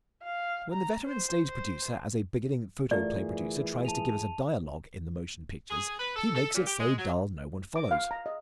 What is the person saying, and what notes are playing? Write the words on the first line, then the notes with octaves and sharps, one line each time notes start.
When the veteran stage-producer as a beginning photoplay producer tries to give us a dialogue in the motion pictures, he makes it so dull no one follows.
F5
A#5
C5
C5
E3 A3 F4 G#4 A#4 D5
A5 D#7 F7
G#4
B4
A4
A4
A#2
G4
G#3
F#3
D6
F5
A#5
D#5